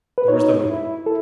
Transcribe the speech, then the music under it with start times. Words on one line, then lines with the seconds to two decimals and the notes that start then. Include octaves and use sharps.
There was the link.
0.18 B4
0.28 D#4 C#5
0.67 E4
1.06 E4 A4